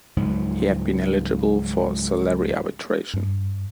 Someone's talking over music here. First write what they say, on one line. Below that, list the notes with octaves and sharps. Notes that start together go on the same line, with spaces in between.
He had been eligible for salary arbitration.
C#2 G#2 F3 F#3
G2